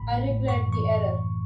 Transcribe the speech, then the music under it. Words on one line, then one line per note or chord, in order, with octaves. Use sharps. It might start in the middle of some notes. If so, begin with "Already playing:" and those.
I regret the error.
Already playing: A1 A2 B5
A2
A2
F#2 C#6
E3
C#6